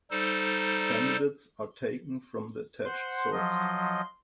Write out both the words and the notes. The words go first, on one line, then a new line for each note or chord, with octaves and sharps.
Candidates are taken from the attached source.
G3 D#4 A4 C5
C5 F#5 C6
F3 F#3 D#5